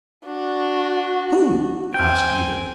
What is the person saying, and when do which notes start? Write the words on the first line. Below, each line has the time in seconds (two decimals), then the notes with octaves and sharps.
"Who?" asked Edith.
0.25 D4 F#4
1.94 C4 G5 G#5